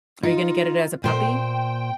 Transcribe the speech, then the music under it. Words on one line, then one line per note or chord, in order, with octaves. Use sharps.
are you gonna get it as a puppy?
D#4 F4
A#2 C5 G5